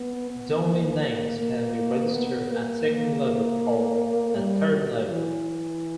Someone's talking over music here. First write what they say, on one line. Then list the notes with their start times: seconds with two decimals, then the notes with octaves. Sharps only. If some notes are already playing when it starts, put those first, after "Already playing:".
Domain names can be registered at second-level or at third-level.
Already playing: B3
0.30 B3
0.67 A#3
1.39 A#3
2.13 B3
2.51 A#3
2.88 A#3
4.35 G3
4.72 F#3
5.09 E3